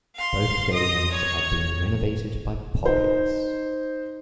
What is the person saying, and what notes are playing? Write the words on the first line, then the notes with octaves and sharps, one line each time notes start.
Both stadiums are being renovated by Populous.
F5 C6
D#5 D#6
C#5
D#4 C5